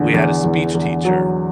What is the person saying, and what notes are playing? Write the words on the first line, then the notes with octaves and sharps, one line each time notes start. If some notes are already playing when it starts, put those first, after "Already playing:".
we had a speech teacher,
Already playing: E2 D3
E2
E2
E2
F#3